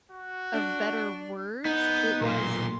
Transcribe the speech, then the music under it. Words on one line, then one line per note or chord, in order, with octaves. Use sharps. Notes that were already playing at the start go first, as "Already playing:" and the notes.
of better words, it was
F#4
D4
B3 D#4 G6
B1 A#2 C6